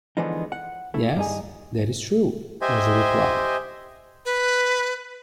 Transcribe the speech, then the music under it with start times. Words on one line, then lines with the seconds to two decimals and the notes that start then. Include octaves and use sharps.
"Yes, that is true," was the reply.
0.17 D3 E3 F3 G#3 B3 D#4
0.52 F#5
0.94 A3 E4
1.16 G2 D#4 G#4
2.61 G4 C5 D#5 E5 G#5
4.25 B4